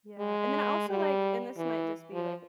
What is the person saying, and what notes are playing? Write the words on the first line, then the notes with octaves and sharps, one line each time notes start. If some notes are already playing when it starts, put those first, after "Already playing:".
Yeah. And then I also, like, and this might just be, like,
G#3
G3
E3
F3